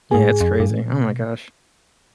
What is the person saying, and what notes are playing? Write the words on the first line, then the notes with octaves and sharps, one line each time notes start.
Yeah, it's crazy. Oh my gosh.
G#2 G#4 G#5
A2
G#2
F2
F#2
G2
A2
A#2
B2